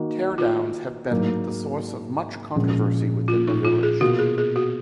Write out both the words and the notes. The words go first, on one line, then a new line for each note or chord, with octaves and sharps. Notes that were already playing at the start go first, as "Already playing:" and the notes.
Teardowns have been the source of much controversy within the village.
Already playing: D#3 A#3 D#4 F#4
F4
G#2 F#3 A#3
A#2 F3 G#3 C#4
F4
D#4
F4
G#4
B2 A#3 F4 F#4
G#4
G#4
F#4